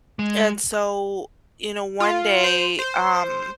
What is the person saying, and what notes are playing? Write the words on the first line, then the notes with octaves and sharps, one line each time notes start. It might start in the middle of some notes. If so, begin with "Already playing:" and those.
and so, you know, one day, um,
G#3
F4
C5
C5